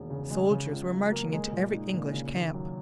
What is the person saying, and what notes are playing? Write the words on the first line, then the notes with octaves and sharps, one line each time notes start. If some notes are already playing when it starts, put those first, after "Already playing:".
Soldiers were marching into every English camp.
Already playing: E1 D#2
C#3
G#3
C#3
C#2
F#3
A#3
G#3
A#2
D#4
A#2
C#3
D#2
F#3